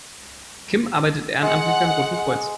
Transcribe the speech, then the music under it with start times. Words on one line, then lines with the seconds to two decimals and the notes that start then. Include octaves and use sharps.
Kim arbeitet ehrenamtlich beim Roten Kreuz.
1.42 G#3 F#5